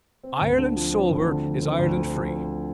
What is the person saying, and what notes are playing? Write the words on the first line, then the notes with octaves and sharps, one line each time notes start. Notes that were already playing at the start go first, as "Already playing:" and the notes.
Ireland sober is Ireland free.
C4
D2
D3
F3
C4
D2
D3
F3
C4
D2
D3
F3
C4